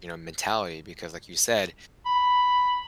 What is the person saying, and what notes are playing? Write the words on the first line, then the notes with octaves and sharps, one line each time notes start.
you know, mentality because like you said,
B5